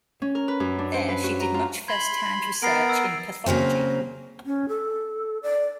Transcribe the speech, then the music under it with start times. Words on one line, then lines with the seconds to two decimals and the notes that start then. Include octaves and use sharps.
There she did much first-hand research in pathology.
0.22 C#4
0.35 A#4
0.48 B4
0.60 F#2
0.79 D4
0.94 C5
1.09 B4
1.24 F#4
1.40 A#5
1.54 F4
1.88 B5 C6 G#6 F#7
2.62 B3 A#4 A6 C7 D7
2.89 E6
3.46 C#3 F#3 A#3 C4
4.46 C#4
4.69 A4
5.43 D5